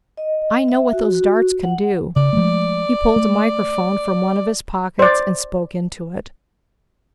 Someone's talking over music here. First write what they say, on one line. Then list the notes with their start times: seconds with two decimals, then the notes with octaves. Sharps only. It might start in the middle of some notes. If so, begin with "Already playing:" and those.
"I know what those darts can do." He pulled a microphone from one of his pockets and spoke into it.
0.17 D#5
0.68 E5
0.93 F#4
1.15 F#4
1.63 F#5
2.16 C#3 D5
2.33 F3 G#3 A3
3.16 A3
4.99 C5 D5